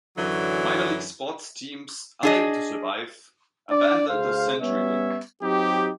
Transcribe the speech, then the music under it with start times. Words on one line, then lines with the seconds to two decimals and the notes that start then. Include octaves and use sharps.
Minor league sports teams, unable to survive, abandoned the CenturyLink.
0.17 F#2 D3 E3 F#3
2.23 D4 G#4 D#5
3.71 D4 D5
4.09 D2 G#4 C5 F5
4.61 G3 B3 C#4 C#5 E5
5.42 F#3 C4 D#4 G4